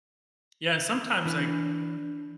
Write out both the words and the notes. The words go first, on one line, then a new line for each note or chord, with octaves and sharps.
Yeah, and sometimes, like,
E3 D4